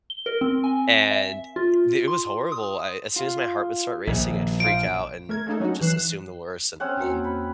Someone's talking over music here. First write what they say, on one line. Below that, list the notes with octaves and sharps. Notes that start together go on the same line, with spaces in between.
and the it was horrible, I as soon as my heart would start racing, I'd freak out, and just assume the worst, and then
G7
A#4
C4
G#5
E5
F4
C6
D#6
F4
A#1 D#2
F3 F5 D7
A3 A#4 G#6
A3 A#3 D4 D#4 A4
F#3 C#4 D#4 F#4
E3 F#6 C7 E7
C4 C#4 F#5
E2 A#3 F#4
B5